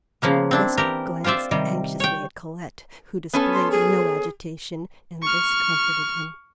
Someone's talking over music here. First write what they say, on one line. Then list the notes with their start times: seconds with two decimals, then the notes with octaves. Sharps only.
West glanced anxiously at Colette, who displayed no agitation, and this comforted him.
0.22 C#3 F3 A#3 B3
0.51 C4 D4 E4
0.77 E3 G4 A#4
1.24 F4 G4 C5 D5 E5
1.51 C3 D#3 G3
2.00 C#5 G5
3.33 B3 C#4 A4
3.53 C6
3.71 G#4
5.22 C#6 F6